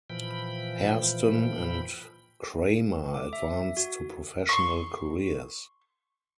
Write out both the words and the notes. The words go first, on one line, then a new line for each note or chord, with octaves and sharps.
Hairston and Kramer advanced to professional careers.
A#2 E3 F3 G5 B5
D6
E5
F#4
C6 C#6